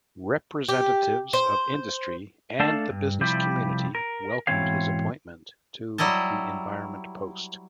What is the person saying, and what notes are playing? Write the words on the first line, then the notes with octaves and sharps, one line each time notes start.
Representatives of industry and the business community welcomed his appointment to the environment post.
G4
C5
A3 D4 A4 D5 F5 A5
G2
C3 F3 G3 E4 G4
A#4
G#2 B2 E3 C4 C#5 F5
F#3 G3 E4 D#5 A5